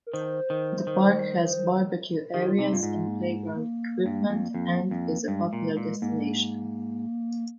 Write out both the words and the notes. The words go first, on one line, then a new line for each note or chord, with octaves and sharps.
The park has barbecue areas and playground equipment, and is a popular destination.
A#4
D#3 C5
D#3
D#3
D#3 G4
F4
C3 D#4
G2 F4
G#2
A#3
G#3
A#3
G2
F2
F2
F2
G2 G#3
A#2
A#2
G#2 A#3